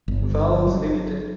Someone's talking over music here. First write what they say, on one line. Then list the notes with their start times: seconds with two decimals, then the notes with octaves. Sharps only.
Vowles Ltd.
0.08 G1
0.67 F#3